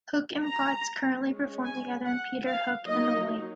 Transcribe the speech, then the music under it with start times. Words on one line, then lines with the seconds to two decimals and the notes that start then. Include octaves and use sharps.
Hook and Potts currently perform together in Peter Hook and The Light.
0.45 A#5
1.25 G#3 C#4
1.65 G#5
2.05 F#5
2.45 F5
2.85 F#3 A#3 D#4 D#5